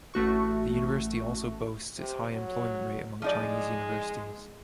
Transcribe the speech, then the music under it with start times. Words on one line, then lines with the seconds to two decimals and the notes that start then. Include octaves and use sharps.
The university also boasts its high employment rate among Chinese universities.
0.14 A1 A3 F#4 C#6
1.98 C3
2.32 F#3
3.22 F3 G#3 D#4 D5